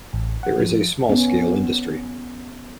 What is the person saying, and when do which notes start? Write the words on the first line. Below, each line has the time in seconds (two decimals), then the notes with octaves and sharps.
There is small scale industry.
0.13 A1
0.43 F#5
0.60 F3
1.09 B3 C#4